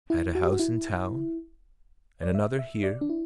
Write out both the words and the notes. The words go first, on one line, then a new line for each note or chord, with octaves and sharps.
I had a house in town and another here.
E4
F#4
G4
F#4
E4
D5
E5
E5
D5
D4
E4